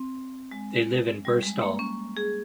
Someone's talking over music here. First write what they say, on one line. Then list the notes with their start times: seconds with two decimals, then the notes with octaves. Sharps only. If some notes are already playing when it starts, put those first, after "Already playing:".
They live in Birstall.
Already playing: C4
0.51 G#3
1.25 G3
1.43 G#3
1.62 A#3
1.79 C#4
2.17 G#4